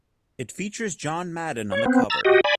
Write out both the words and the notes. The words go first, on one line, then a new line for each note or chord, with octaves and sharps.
It features John Madden on the cover.
C#5
B3 C4
A#5 E6 A6
F#4 G4 D#5
D5 G#5 B5